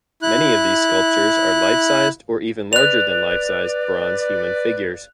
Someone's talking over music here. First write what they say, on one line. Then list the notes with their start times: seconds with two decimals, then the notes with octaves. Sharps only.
Many of these sculptures are life-sized or even larger than life-sized bronze human figures.
0.22 E4 F#6
2.73 B4 D5 F#6 F7